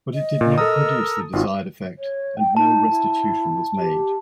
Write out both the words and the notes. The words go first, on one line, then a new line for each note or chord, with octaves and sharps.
But it did not produce the desired effect and no restitution was made.
D#5
A#2
A4 A#4 A#5 D#6 E6
G#1 D#4 F4 F#4
C#5
G5
D#4 A5
E4
G4